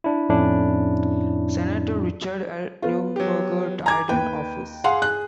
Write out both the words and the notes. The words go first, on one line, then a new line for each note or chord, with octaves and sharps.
Senator Richard L. Neuberger died in office.
D4 E4
F2 A2 C#4 D4 E4
B3 F4
F#3 G4
G#5 A#5 D6 G#6
D#2 B4 G5
G#4 F5 F#5 C6
F#6